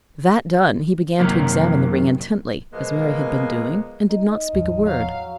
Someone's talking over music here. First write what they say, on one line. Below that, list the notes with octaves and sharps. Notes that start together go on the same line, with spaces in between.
That done, he began to examine the ring intently, as Mary had been doing, and did not speak a word.
F#2 C3 D#3 F#3 A#3
B2 F3 G#3 A#3 B3
D#4
E2 A2 F3
F#3 F5